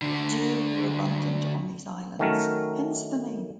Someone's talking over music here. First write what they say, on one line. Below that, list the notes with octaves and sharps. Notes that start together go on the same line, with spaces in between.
Deer were abundant on these islands, hence the name.
D2 D3
D#3 F#3 A3 C#4 A#4